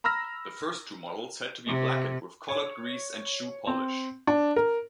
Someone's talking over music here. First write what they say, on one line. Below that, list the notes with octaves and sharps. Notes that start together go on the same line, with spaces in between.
The first two models had to be blackened with colored grease and shoe polish.
A#5 B5 E6 F6 A#6
C3
C#5
C4
D4
A#4